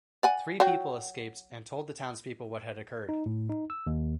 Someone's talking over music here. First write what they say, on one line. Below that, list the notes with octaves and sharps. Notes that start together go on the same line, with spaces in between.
Three people escaped and told the townspeople what had occurred.
D5 F#5 G#5
F#3 F#4 G5
D#4
A2
D#4
E6
D#2